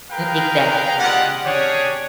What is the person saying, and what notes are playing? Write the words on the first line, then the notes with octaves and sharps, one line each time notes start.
M exactly, mhm.
G#4 A#4 B4 F5 G5 A#5
G#3 D4 F4 G4 D#5 F#5
C#4 D4 G4 G#4 C#5